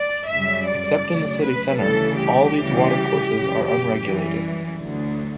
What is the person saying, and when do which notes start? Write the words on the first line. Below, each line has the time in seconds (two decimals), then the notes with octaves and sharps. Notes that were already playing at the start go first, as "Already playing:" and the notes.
Except in the city centre, all these watercourses are unregulated.
Already playing: D5
0.30 F#2 C#3 G3 E5
0.68 D5
1.06 D2 C#3 F#3
1.43 B4
1.80 D2 C#3 E3 G3 A4
2.19 G4
2.56 D2 C#3 E3 G3
3.31 F#2 C#3 E3 G3
3.68 G4
4.06 F#2 E3 G3
4.81 D2 D3 F#3